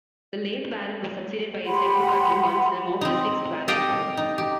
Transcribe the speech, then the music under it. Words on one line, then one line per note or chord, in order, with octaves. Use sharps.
The late Baron was succeeded by his second cousin once removed, the sixth Baron.
G4 F#5 B5 C6
C4 D#4
G4 A4 D#5 F5 G5
D#4
G4